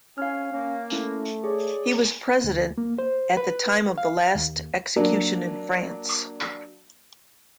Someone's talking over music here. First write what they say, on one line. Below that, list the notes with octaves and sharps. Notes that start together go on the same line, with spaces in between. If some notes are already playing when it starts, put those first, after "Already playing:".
He was President at the time of the last execution in France.
F2 C#4 E4 F5 G#5 F6
A#3 C#4
A3 C#4 E4
G#4 C#5 D5
D2
A#3
C5
B4
F5
D#2
F#3 A#3 D4